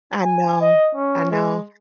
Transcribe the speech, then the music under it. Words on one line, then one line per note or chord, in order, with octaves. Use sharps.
I know, I know.
G#5
D#5
C#4
G#3